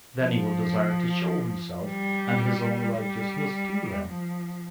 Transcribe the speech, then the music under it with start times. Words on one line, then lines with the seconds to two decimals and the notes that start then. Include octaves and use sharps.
Then He will desire to show Himself and His own righteousness to them....
0.18 F3
1.85 G3
2.97 G3
4.09 F3